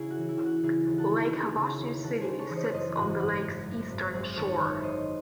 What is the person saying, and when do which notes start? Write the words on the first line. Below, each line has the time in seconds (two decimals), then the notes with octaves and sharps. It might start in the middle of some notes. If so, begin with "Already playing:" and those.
Lake Havasu City sits on the lake's eastern shore.
Already playing: C#3 E4 G#4
0.11 F#4
0.17 E3
0.29 E4
0.40 C#3
0.46 F#4
0.63 C#3 E4 G#4
0.87 D#2
0.98 F#4 A4
1.11 D#2
1.32 C#3 E4 G#4
1.57 C#3
1.80 D#2
2.03 D#2 F#4 A4
2.21 G#4 C5
2.26 C#3
2.39 A4 C#5
2.50 E3
2.55 C5 D#5
2.73 F#2 C5 D#5
2.97 G#1 F#4
3.19 F#2 F#4
3.44 G#1
3.67 F#2
3.90 G#1
4.13 F#2 G#4 C5
4.36 D#3 A4 C#5
4.59 D#3 C#5 E5
4.83 D#3 C5 D#5